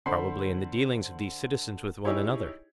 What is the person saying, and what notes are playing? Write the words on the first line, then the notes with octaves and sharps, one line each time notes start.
Probably in the dealings of these citizens with one another.
D3 C5 B5 C6 C7
D#4 E4 G4 G#4 C#5